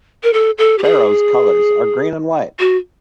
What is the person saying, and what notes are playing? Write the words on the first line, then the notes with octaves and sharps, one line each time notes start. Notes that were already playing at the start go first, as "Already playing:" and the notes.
Beroes colours are green and white.
A#4
A4
A4
G4
G#4
F#4